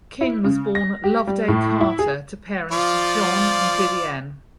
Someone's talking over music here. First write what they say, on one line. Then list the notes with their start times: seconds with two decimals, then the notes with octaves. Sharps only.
King was born Loveday Carter to parents John and Vivienne.
0.21 E4
0.44 C#3
0.75 A#6
1.04 G4
1.27 G3
1.48 A2
1.81 E4
1.99 G#4
2.71 F3 F4 D5